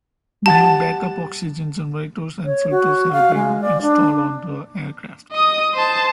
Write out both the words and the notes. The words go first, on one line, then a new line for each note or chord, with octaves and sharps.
New backup oxygen generators and filters have been installed on the aircraft.
G3 F#5 A5 A6
C#5
F#4
F5
G#3
D5
D4
D#5 D#6
C5 A5